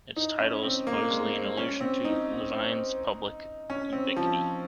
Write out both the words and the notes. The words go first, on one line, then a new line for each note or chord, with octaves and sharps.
Its title is supposedly an allusion to Levine's public ubiquity.
D#4
C#4
C4
A#3
G#3
C#4
C4
D#4
C#4
C4
F3